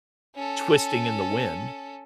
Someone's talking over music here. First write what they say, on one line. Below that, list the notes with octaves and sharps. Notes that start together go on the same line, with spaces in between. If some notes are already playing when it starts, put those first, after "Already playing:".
twisting in the wind.
C#4 A4